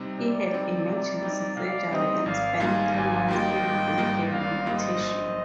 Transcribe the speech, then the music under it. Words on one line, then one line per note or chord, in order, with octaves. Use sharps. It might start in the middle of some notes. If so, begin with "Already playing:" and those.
He had emergency surgery and spent three months in rehabilitation.
Already playing: C3 G3 C4 D#4
C3 A#4 D5
G3 C4 D#4
C3
G3 C4 D#4
C3 D5 F5
G3 C4 D#4 C5 D#5
G#1 D5 F5
G#2 G3 A#3 F4 F5 G#5
G#1 F5 G#5
G#2 G3 A#3 F4 D#5 G5
G#1
G#2 G3 A#3 F4
G#1 D5 F5
G#2 G3 A#3 F4 C5 D#5
A#1